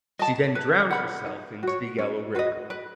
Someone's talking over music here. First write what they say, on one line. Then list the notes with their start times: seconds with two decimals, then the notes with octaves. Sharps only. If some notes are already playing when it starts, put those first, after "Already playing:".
She then drowned herself into the Yellow River.
0.19 D#5 A5
0.55 B4
0.91 F#5 B5
1.26 D#4
1.63 F#4 C#5
1.99 C#4
2.35 F#4 B4 D#5
2.70 B4